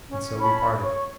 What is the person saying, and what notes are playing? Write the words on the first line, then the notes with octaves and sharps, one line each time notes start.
And so we parted.
C#4
C#4 C#5 A5 B5
C#5 C#6